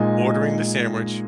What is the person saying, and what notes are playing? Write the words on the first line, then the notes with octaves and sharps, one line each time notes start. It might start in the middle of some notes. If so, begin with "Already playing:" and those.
ordering the sandwich,
Already playing: A#2 G#3 D#4 D#5 G#5